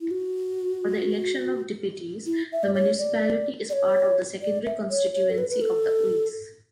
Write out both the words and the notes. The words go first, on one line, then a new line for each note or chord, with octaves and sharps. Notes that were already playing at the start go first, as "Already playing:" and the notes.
For the election of deputies, the municipality is part of the second constituency of the Oise.
E4
F#4
E4
E5
D5
C#5
D5
D5
C#5
D5
E5
C#5
C#5
A4
B4
B4
A4